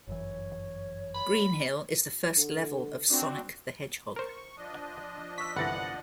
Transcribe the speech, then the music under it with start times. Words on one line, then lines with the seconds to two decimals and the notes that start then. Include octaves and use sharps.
Green Hill is the first level of "Sonic the Hedgehog".
0.07 G1 F#2 E3 C#5
1.15 B5
2.37 D3
3.09 C4 D4 F#4
4.16 A#4 C5 C#6
4.57 F3 D4 D#5
5.38 C#6 E6 B6
5.56 G1 C2 E3 F#5 B5 A6 A#6